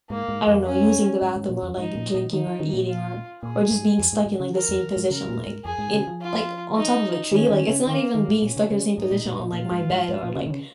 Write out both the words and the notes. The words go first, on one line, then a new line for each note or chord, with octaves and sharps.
I don't know, using the bathroom or, like, drinking or eating or or just being stuck in, like, the same position, like, in like, on top of a tree, like, it's not even being stuck in the same position on, like, my bed or, like,
G#2 A#3
G#2
F2
C#4
G#2
G#2
A#2
F2
G#2 D#4
A#2
A#2
D#3 D#4
F3
D#3
A#2
F4
A#2 G#4
G#2
F2
G#2
G#2
C#3
A#4
F2
G#2
C#3 A#4
A#2
G#2
F2 G#4
G#2
C#3
F3
F4
D#4
D#3 C#4
D#3
C#3
D#3 A#3
D#3
G#2
A#2 C#4
C#3
C#3
G#2 D#4
A#2
A#2
A#2
A#2 F4
G#2
G#2
G#2
A#2
C#3
D#3
C#3